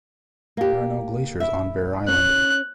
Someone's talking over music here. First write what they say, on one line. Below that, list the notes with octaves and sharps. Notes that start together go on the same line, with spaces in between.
There are no glaciers on Bear Island.
A#3 G4
E4 E5
C#4 F#6